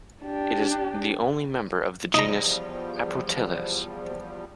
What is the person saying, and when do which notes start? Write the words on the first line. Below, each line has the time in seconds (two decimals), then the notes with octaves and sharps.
It is the only member of the genus "Aproteles".
0.24 D4 G4
2.14 E2 F3 G3 D#4 A#5